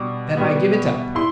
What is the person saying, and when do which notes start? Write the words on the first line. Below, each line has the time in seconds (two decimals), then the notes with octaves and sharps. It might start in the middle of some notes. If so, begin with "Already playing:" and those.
"Then I give it up."
Already playing: B2 G3 D4 D6
0.37 B2 G3 B3
1.15 E4 C6